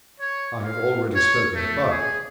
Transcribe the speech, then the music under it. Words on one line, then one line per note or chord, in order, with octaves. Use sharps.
I have already spoken above.
C#5
F5
C#5
A3
G#4